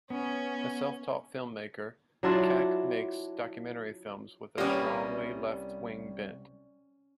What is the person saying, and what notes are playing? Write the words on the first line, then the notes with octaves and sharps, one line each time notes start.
A self-taught film-maker, Kak makes documentary films with a strongly left-wing bent.
B3 C#4
F#3 D4 E4 F4
C2 G3 A#3 B3 C#4 G4 D5 D#5